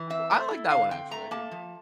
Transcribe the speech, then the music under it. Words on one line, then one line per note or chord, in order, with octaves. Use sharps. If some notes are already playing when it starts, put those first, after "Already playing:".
Ooh, I like that one, actually, I do enjoy that
Already playing: E3
C4 E5
A3
E4
D3 F5
C4 G5
A3 A#5
A#3 A5
F3